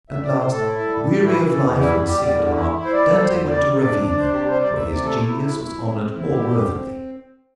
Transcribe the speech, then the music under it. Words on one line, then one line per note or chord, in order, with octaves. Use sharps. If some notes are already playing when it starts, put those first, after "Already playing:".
At last, weary of life and sick at heart, Dante went to Ravenna, where his genius was honored more worthily.
A2 E5
D5
A2
C5
A2
A4
E4
G3
A2
E3 E4
E3 E4
A4
E2
G3 E4
G3 E4
G4
E2 D5
D3
E4
E4
C5
G3 D5
G3 A4
C5
E2
G3 D5
C3
D5
D4
D4 D5
C3 C5
G4
G3 C5
C3 D5
E5
C3
D5
A3 A4
C3 E4
E4
E4
C4
C4
E4
D3 G4
C4
C4